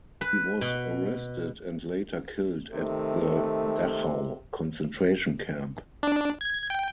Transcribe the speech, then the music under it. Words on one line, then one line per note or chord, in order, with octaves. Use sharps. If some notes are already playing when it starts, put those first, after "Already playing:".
He was arrested and later killed at the Dachau concentration camp.
B4
B2
C3 D#3 A3
D4
G#6
G5